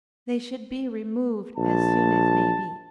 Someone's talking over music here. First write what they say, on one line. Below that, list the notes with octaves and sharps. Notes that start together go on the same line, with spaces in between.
They should be removed as soon as may be.
A#1 A5